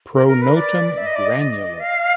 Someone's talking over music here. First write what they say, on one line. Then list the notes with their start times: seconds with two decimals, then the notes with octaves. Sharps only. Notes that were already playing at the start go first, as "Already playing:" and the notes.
Pronotum granular.
0.14 A#4
0.28 A#4
0.42 B4
0.55 D5
0.97 E5
1.06 D#5
1.15 D5
1.25 D#5
1.80 F5